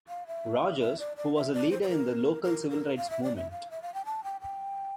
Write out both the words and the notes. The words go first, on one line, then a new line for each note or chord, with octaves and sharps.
Rogers, who was a leader in the local Civil Rights Movement.
F5
E5
E5
D5
D5
E5
D5
C5
C5
A#4
A#4
A#4
F5
E5
D5
E5
F5
E5
F5
G5
A5
G5
G5